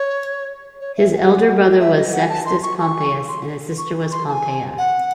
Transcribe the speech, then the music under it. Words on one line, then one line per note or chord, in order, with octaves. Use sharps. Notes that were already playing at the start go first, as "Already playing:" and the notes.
His elder brother was Sextus Pompeius and his sister was Pompeia.
Already playing: C#5
C#5
E5
G#5
F#5
E5
D#5
F#5
A5
C6
C#6
C#6
C6
C#6
C6
A5
G#5
F#5